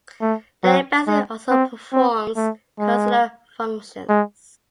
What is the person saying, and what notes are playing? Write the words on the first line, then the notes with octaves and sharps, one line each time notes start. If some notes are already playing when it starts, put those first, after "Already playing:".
The embassy also performs consular functions.
A3
F#3
G#3
C4
C4
A3
G#3
G#3